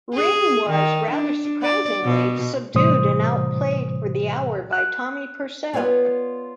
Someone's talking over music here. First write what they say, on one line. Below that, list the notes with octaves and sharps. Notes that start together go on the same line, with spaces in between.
Ring was, rather surprisingly, subdued and outplayed for the hour by Tommy Purcell.
G#4
D#3
D4
D5
B2
A2 C3 E3 G3 C5 D#6
F#6
B3 F4 B4 C#5 D5 F5